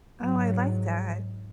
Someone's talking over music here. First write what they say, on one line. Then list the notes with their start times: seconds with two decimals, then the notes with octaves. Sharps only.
Oh, I like that.
0.22 G#2 F#3